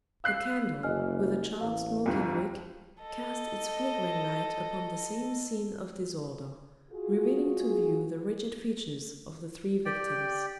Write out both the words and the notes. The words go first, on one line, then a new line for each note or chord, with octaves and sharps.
A candle, with a charred smoking wick, cast its flickering light upon the same scene of disorder, revealing to view the rigid features of the three victims.
F5 E6 F#6 C7
F#1 D#5 G#5 F6
A1 F5
G1 C2 F2
A4 D#5
F4 F#4 G#4
G4 D5 G5